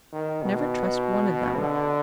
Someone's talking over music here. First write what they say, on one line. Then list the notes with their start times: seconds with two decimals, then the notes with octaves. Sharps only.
Never trust one of them.
0.13 D#3
0.43 B2
1.58 D3